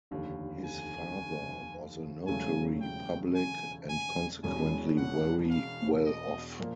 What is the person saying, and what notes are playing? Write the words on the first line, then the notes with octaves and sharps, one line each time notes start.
His father was a notary public, and consequently very well off.
F1 D#2 D3
G#5
E1 E2 C#3 F#3 A3 G#5
G5
G#5
G#5
E1 E2 B2 G#3 C#4 G#5
F#5
F5
D#5
A#2 F3 A#3